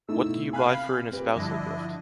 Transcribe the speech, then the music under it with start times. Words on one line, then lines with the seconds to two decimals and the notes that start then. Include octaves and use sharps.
What do you buy for an espousal gift?
0.09 A3 D#4 E4 E6
0.25 B2
0.53 C3 F5 G#5 B5 F6 F#6
1.11 A#2 C4 G4 B4
1.35 G2 D3 F3 D4 E4 D#5